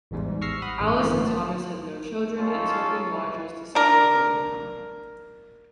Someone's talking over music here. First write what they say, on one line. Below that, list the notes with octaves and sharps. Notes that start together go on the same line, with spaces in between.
Alice and Thomas had no children and took in lodgers to supplement their income.
A1 E2 G#2 G3
C#6 E6 F6 A#6 C7
F#5 B5 D#6 F6
A1 G2
D3 E3 F3 A3 B3 C#4
A5
C#4 D#4 F4 A4 A5 C#6
D4 A#4